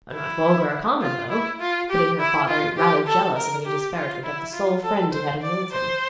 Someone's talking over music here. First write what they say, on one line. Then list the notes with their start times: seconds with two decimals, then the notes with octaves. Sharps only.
'Not vulgar, or common though,' put in her father, rather jealous of any disparagement of the sole friend he had in Milton.
0.13 E4
1.01 F4
1.30 E4
1.60 F4
1.90 G4
2.19 E4
2.48 F4
2.77 G4
3.07 A4
3.36 A#4
3.66 G4
3.95 F4
4.24 E4
4.53 F4
4.83 A4
5.11 C5
5.42 D5
5.71 C5